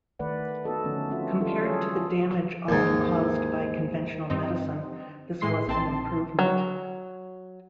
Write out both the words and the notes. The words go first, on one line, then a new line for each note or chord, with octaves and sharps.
Compared to the damage often caused by conventional medicine, this was an improvement.
D#3 A3 B4 D5 F#5
B3 D#4 F#4 A4 D#5
D3 F3 A3 B3 C#4
A3 C4 C#4 F4 F#4 E5
E3 F#3 G3 C#4 F4 A4
G#4 A4 C#5
D#2 G#2
G2 C4 D#4
A2 E3 G#3 E4 C6 C7
A#1 C4 A5 C6
F#3